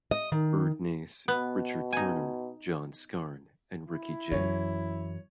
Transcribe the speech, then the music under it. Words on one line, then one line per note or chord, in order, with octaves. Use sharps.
Erdnase, Richard Turner, John Scarne and Ricky Jay.
D#5
D#3
B2 B3
D#4 G#5
E4
F#2 E3 C#5